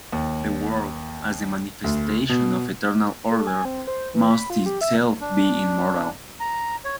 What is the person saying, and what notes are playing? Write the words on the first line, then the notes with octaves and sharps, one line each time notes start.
The world, as the manifestation of eternal order, must itself be immortal.
D#2
D2
B2
A4
G#5
C4
C5
E3
B5
F4
G4
E5
D4
A#5
C#5